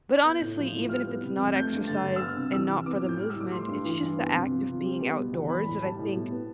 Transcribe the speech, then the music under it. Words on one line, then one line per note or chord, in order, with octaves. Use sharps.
but honestly, even if it's not exercise, and not for the movement, it's just the act of being outdoors that I think
B3 G6
A2
F3
A2
G3 F6
B3
C3
F2
A3 G6
G2
D3 A6
G2
E6
B3 F6
C3
E3 E6
C3
B3 D6
A2
G6
G3 F6
E6
A2
D6
A3 C6
G2
E3
G2
B3
C3
F3
C3
G3
B3
B2
E2
B3 B5
A2
G3 A5
A2
B2
B3